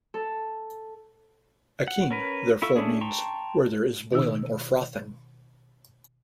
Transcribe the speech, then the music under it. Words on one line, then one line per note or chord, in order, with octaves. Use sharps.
Akean therefore means "where there is boiling or frothing".
A4
F#5
C#4 A#4 B4
E4 F4 A4 C#6
A3 A#3 C#4 D4 G#4
G5 A5 A#5 C6 C#6
B2 D#3 D#4 E6